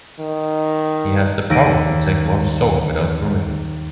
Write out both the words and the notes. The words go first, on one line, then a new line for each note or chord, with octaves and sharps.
He has the power to take one's soul without permission.
D#3
D#2 A#6 D7 D#7